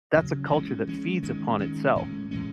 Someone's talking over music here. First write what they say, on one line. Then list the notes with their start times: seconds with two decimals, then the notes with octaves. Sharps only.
that's a culture that feeds upon itself.
0.15 C#3 F#3 C#4
0.51 E3 G#3 C#4
0.87 E3 G#3 C#4
1.23 D#3 G#3 C#4
1.59 D#3 G#3 C#4
1.95 A2 E3 G#3 C#4
2.31 A2 E3 G#3 C#4